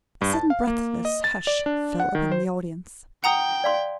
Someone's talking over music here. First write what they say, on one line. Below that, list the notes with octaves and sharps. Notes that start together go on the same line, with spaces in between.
A sudden breathless hush fell upon the audience.
G2
A5
F5
A#3
D#5
A6
D5
D4
F#5
D#3
C5
F#5 G5 A#5 D#6
D5 F5 C6